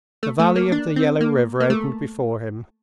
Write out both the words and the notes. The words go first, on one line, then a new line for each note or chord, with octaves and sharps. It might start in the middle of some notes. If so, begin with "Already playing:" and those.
The valley of the Yellow River opened before him.
A3
A3
A#3
D4
C4
A#3
A#3
A3